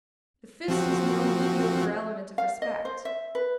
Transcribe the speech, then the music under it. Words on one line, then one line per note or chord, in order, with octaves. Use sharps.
The fist is no mediocre element of respect.
F3 C4 F#4
F5
D#5
C5
E5
B4